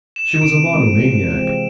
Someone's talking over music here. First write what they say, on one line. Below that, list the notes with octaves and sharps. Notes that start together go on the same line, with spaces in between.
She was a monomaniac.
E7
D#7
C3 D7
E3 G#3 C4 F4
C3
E3 G#3 C4 F4